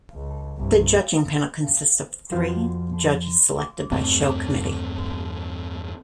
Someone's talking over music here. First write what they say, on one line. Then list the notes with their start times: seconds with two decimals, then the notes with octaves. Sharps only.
The judging panel consists of three judges selected by the Show Committee.
0.15 C#2
0.58 C2 G2
2.32 F2 F3 F4 F#4 C5 F5
3.92 E2 G2 A3 C4